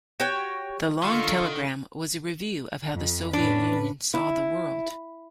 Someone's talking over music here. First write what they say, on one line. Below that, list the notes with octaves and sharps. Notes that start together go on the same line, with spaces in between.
The "Long Telegram" was a review of how the Soviet Union saw the world.
F#4 G4 C#5 G5
D3 D#3 F4 C6 C#6 E6
F2
A2 C#4 D4 B4
E4